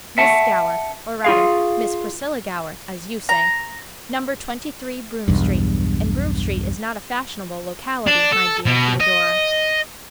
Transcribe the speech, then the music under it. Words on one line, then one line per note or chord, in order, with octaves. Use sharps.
"Miss Gower, or rather Miss Priscilla Gower, as you say. Number twenty-three, Broome street; and Broome street is not a fashionable locality, my dear Theodora."
E5 F#5 A5
F4 G#4 F5
A#5
B1 E2 G2
D4
A4
B2
D#5